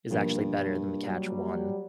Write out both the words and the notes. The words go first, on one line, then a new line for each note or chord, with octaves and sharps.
is actually better than the Catch One
G2 B2 F3 A#3
F#3 G3